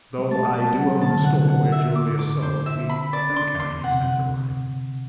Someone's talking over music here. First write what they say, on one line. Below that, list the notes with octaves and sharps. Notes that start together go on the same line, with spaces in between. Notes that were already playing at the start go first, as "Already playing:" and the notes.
Though I do own a store where jewelry is sold, we don't carry an expensive line.
G3
A3 A5
G3 A5
F#3 F#5
D3 A5
C3
D3
F#5
F#5
E5
D6
D6
C5
E5
B5
D5
C6
C6
C3 F#5